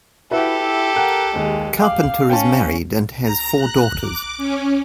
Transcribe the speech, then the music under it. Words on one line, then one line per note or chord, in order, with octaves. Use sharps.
Carpenter is married and has four daughters.
E4 F#4 G4 A4 B4 E5
E4
A#4 F#5 G5 F#6
D#2 G#3
F5 G5 D6 F#7
C#4 G5 A5
A#5
F#6
D6
C#4